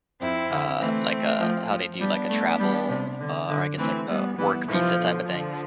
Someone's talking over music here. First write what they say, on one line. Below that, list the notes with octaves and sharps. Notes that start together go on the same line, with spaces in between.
Uh, like, uh, how they do, like, a travel, uh or I guess, like, a work visa typa thing.
F2 C4 E4
D3
E3 A3 C4
F3
F3
G3 B3 D4
A3
G3
C3
D3
D3
E3 A3 C4
G3 B3
E3 G3 B3
C3 E3 F3
B2 D3
D3 F3